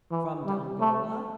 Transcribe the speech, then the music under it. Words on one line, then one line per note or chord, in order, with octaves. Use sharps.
"From Dongola?"
E3
G3
A3